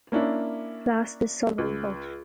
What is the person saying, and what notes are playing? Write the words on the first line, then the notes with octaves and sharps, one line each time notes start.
Last is Sullivan Gulch.
A#3 C#4 D4 E4
C#2